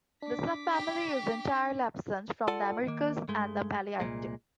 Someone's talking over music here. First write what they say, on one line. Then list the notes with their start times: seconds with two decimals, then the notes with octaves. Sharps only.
The subfamily is entirely absent from the Americas and the Palaearctic.
0.22 D4 D6 B6
0.71 G4 G5
2.48 F4 A4 D5 F#5 A5
2.87 D#3 A#3
3.28 G2 G#3 A3
4.00 C2 A#2 G#3